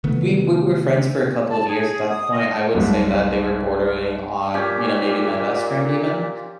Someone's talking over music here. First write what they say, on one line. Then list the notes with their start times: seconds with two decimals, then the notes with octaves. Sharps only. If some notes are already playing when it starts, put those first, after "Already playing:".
we we were friends for a couple of years at that point, I would say that they were bordering on, you know, maybe my best friend, even.
0.04 C3 D#3 A3 B3
1.50 A5
1.67 G#4
2.09 D#6
2.31 D#5
2.74 F#1 C2 G#2
4.54 A#2 C#4 G4